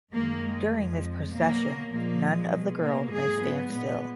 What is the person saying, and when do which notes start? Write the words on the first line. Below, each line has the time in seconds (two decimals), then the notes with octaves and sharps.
During this procession, none of the girls may stand still.
0.13 F#2 D#3 G#3 A#3
0.43 G#3
0.73 F2 F3 G#3
1.32 B2 F#3 A#3
1.92 A#2 F3 G#3 A#3
2.22 G#3
2.53 B2 G#3
2.82 A#3
3.11 G#2 F#3 G#4
3.41 B3
3.72 A#2 G#3 B3